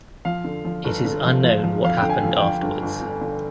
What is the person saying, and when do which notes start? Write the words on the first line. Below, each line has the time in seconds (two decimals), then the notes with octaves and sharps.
It is unknown what happened afterwards.
0.25 F3 F5
0.44 D3
0.65 F3
0.84 G1
1.05 D3
1.24 F3
1.44 F3
1.63 F3
1.84 F2 F5
1.97 G5
2.02 D3
2.10 G#5
2.23 F3
2.37 G5
2.42 F3
2.62 G1
2.83 G1
3.02 D3
3.21 D3